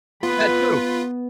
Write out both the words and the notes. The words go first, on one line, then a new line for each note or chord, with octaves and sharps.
That too,
B3 F4 B4 B5